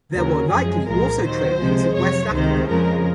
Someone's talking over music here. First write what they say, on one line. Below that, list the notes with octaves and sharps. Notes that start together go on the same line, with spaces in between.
There were likely also trade links with West Africa.
D#2 C#3 F#3 A#4
F#2 F3 G#3 G#4
C2 A#2 F3 G#3 A#4
D#2 D#3 F#3 C5
C#2 C3 F3 G#3
F2 C3 F#3 C#5
C#2 C3 D#3 G#3 C5
F2 C#3 F3 G#3 A#4